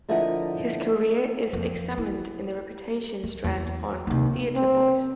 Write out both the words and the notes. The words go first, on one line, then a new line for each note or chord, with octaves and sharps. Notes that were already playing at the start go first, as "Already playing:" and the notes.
His career is examined in the Reputations strand on "TheatreVoice".
D3 F3 E4 A#4 D#5 F#5
F2
E4
A3
E2
D#2 C3
C4